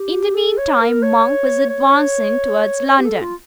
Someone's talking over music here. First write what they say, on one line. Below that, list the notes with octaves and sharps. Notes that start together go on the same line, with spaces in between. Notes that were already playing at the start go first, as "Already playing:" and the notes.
In the mean time Monk was advancing towards London.
Already playing: G4
A4
C#5
A#4
C#5
C#5
G4
A4
F4